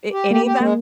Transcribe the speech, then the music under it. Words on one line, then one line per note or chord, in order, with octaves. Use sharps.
A any of that?
G4
A#3 G4
G4
G#3 A#3